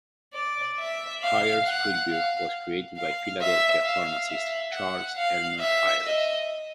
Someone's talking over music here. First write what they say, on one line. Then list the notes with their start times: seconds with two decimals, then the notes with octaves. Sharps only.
Hires Root Beer was created by Philadelphia pharmacist Charles Elmer Hires.
0.34 D5
0.79 E5
1.22 F5
1.66 F#5
2.09 F5
2.97 F5
3.41 E5
3.85 F5
4.28 E5
4.72 F#5
5.17 F5
5.60 E5
6.04 D#5